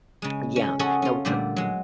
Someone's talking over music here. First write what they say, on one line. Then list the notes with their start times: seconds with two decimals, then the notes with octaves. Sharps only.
Yeah. No, uh
0.22 C#3 G#3
0.56 C#4
0.79 C#4 F#4 G#4 A4 C#5 D#5
1.02 C#4 F4
1.25 A#2 D3 G3 A3 B3
1.56 F#3 G#3